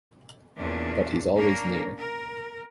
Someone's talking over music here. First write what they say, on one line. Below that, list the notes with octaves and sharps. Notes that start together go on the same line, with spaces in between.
But he's always near.
E2 A#2 C#4 D4
A#3 C#4 D4 A#4
A#4